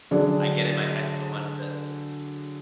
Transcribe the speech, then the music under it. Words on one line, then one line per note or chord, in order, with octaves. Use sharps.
I get in my head so much that
D3 F#3 D4 G#4